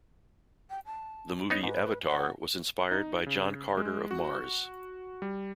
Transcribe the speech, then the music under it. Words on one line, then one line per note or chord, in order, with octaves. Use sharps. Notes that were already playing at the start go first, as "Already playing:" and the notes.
The movie "Avatar" was inspired by John Carter of Mars.
G5
A5
B3 D#4 C#5
G#2 B4
F#5
D#4
C#3
G#3
F#4
G3